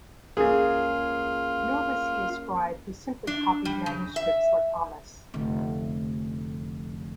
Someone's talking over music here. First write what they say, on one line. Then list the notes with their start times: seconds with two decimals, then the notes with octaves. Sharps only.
Nor was he a scribe who simply copied manuscripts like Ahmes.
0.37 C#2 A#3 C#4 F4 G#4 A#4
3.27 D4
3.65 G3
3.86 C#3
4.16 E5
5.34 F1 D3